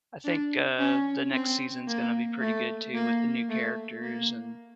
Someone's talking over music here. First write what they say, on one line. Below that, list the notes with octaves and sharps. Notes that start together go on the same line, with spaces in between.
I think, uh, the next season's gonna be pretty good too, with the new characters and
D4
C#4
C4
A#3
A3
A#3
A3
A#3